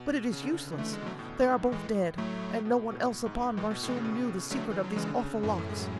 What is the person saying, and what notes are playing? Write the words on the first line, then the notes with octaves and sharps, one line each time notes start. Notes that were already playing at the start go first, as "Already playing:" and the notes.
But it is useless, they are both dead and no one else upon Barsoom knew the secret of these awful locks.
Already playing: B2
C#3
D3
C#3
E3
D3 A3
G#3
B2
F#3 A3
A2
B2
G#2
A2 E3 G#3
A2 F#3 A3
B2
B2
A2
G#2
A2 E3 G#3
B2
A2
E3 G#3
C#3
B2
D3 F#3 A3
E3
F#3
C#3 E3 G#3
D3
C#3
F#2 A2 E3
A3
G#3
F#3